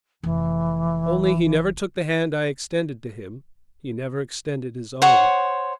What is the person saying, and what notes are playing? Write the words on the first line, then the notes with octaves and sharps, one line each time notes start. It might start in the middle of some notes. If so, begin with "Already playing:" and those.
Only, he never took the hand I extended to him. He never extended his own.
F1 E3
C5 C#5 F#5